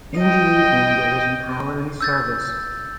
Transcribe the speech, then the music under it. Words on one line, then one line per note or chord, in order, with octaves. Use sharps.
In the evening there is an hourly service.
D#5 G5
E6 G6 A6